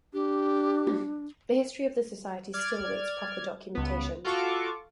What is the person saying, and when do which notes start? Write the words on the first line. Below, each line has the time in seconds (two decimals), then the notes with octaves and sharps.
The history of the society still awaits proper documentation.
0.13 D4 G4
2.53 D5 F6 G#6
3.75 C#2 B3
4.25 F4 F#4 A4 F5 C#6 D6